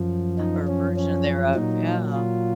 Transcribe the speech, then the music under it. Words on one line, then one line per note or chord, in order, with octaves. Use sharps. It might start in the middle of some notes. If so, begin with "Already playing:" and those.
Or version thereof, yeah.
Already playing: F#2 F3
D#4
C#4
C#4
A#2 F#3 D#4
F4